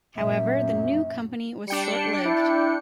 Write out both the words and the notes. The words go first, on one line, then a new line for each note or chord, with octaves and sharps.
However the new company was short-lived.
F#2 A#2 F#3 E5
G3 D4 G5 C#7
E4